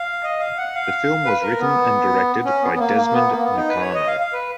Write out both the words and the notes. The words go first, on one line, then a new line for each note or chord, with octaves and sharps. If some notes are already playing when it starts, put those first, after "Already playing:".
The film was written and directed by Desmond Nakano.
Already playing: F5
D#5
F5
F#5
F5
B4
A#4
B3
C#4
B3
B3
A#3
A#3
B3
A#3
B3
D#4
B4
C#5
D#5
F5
F5
B4